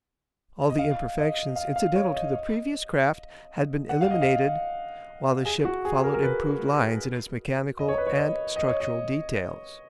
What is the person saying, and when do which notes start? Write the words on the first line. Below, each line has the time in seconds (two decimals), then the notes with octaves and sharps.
All the imperfections incidental to the previous craft had been eliminated, while the ship followed improved lines in its mechanical and structural details.
0.69 D#5
0.79 F5
1.18 D#5
1.56 F5
1.76 F5
1.95 C#5
2.14 D#5
3.89 F#5
4.01 F5
4.11 D#5
4.21 F5
5.45 G#4
5.65 F#4
5.85 G#4
6.04 A#4
6.14 A#4
6.23 B4
7.79 D#5
7.89 C#5
7.98 B4
8.07 C#5
8.17 D#5
8.56 D#5
8.68 C#5
8.80 D#5